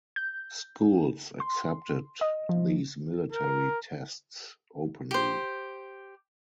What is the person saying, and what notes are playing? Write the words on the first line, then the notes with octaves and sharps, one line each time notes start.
Schools accepted these military tests openly.
G6
C6
D#5
F3
A#4
G4 C5